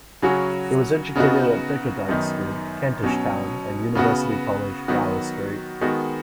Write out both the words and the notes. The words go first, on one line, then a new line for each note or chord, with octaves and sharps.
He was educated at Bickerdike's school, Kentish Town, and University College, Gower Street.
C#3 F#3 C#4 F#4
C#3 B3 D#4 F#4
F#2 D#3 B3 D#4
B2 F#3 C#4
C#3 B3 F#4
D#3 F#3 B3 F#4
D#3 G#3 B3 F#4